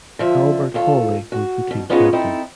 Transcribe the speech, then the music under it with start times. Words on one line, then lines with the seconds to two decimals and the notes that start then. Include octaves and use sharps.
Albert Hawley was the team captain.
0.19 D3 F3 E5
0.74 D#2 F4 A4
1.32 F#4
1.71 B2
1.90 G#3 B3 C#4 D#4 F4 G#4
2.13 C4 D#4 E4 A4